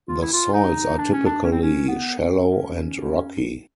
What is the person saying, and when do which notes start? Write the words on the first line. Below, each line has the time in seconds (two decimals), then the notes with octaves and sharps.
The soils are typically shallow and rocky.
0.09 F4
0.22 E4
0.33 F4
0.53 D#4
0.98 D4
1.13 C#4
1.26 D4
1.44 C#4
1.52 C4
1.62 C#4
1.88 B3
2.19 C4
2.48 C#4